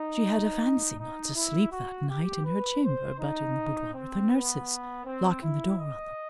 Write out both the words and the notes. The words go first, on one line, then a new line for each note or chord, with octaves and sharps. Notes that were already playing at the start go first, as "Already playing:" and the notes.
She had a fancy not to sleep that night in her chamber, but in the boudoir with her nurses, locking the door on them.
Already playing: D#4
D#4
E4
F#4
G4
B4
C5
D#4
C4
B3
C4
E4
D#5